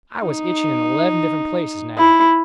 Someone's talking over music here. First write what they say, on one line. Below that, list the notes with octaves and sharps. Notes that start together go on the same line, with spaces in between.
I was itching in eleven different places now.
D#4
E4